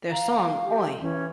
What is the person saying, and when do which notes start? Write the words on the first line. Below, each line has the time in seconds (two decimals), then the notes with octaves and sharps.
Their song Oi!
0.11 F5 A#5
0.64 G4
1.01 E3 C#4